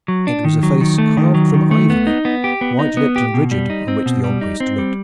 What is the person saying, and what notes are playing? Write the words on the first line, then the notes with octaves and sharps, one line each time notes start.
It was a face carved from ivory, white-lipped and rigid, on which the old priest looked.
F#3
D4
D#3
F#3
D#3
A3
D#3
F#3
D#3
A3
B3
D#4
B3
G4
B3
D#4
B3
G4
B2
G3
D#4
C4
B2
G3
D#4
C4
G3